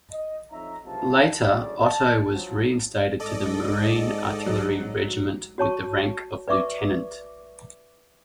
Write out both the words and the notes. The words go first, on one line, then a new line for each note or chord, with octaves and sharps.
Later Otto was reinstated to the Marine Artillery Regiment with the rank of lieutenant.
D#5
F2 D#4 C#5 E5 A#5
F#1 B1 G2 C3 F4 A5
G1 F#2 A2 C#3 D5
A5
F3 F#3
G#2 A4 D5 D#5
F#3
F#4 C#5 A5 C#6
B4 D5 E5 C#6 D6